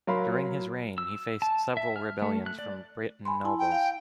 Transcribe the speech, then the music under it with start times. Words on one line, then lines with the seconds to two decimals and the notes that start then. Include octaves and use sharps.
During his reign he faced several rebellions from Breton nobles.
0.07 F#3 A#4 F5 B5 C6
0.98 E6
1.42 A5
1.77 E5
1.96 F6
2.22 A3
2.46 F#6
2.59 D5
3.25 G#5 B5 C6
3.45 E4 G#5 A5
3.59 G5
3.72 F5